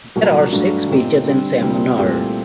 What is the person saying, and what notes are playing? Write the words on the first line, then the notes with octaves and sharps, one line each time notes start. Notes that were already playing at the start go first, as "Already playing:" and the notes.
There are six beaches in Simunur.
C2 A#2 F#3 A#3 F#4
G2 F#3 A3 D4 F#4
A#2 A3 C4 D#4 G4
D3 G3 C4
D2 C3 G3 C4
C2 A#2 A3 C4 G4